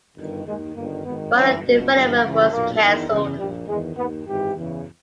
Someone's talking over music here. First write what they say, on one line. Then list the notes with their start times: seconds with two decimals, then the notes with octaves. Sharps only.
Further development was canceled.
0.17 G1 G2 D#3
0.46 D#2 D#3 G#3
0.75 G1 G2 D#3 A#3
1.04 G#1 G#2 D#3 B3
1.34 G1 G2 E3 C#4
1.63 C#2 B2
1.93 G1 G2 E3 B3
2.22 C#2 C#3 E3
2.50 B1 A#2 A#3
2.80 E2 D#3
3.09 E2 C#3 E3 G#3
3.38 A#1 A#2 G3
3.68 E2 D#3 G#3
3.97 D#2 D#3 B3
4.26 G#1 G#2 E3 G4
4.55 E2 C#3 E3